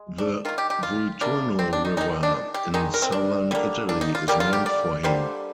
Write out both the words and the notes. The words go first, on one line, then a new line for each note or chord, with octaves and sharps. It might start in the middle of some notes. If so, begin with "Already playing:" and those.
The Volturno River, in southern Italy, is named for him.
Already playing: G#3
D4
D#3 A#3 F4
G4
G4
F4
C3 G3 A#3 D4
C4
D4
D#4
D#3 G#3 D#4
D4
G4
D#3 G#3 D#4
A#4
C4
D4
D3 G3 A#3
D4
D#4
F4
D3 G3 A#3 G4
F4
G4
D5
D3 G3 A#3 C5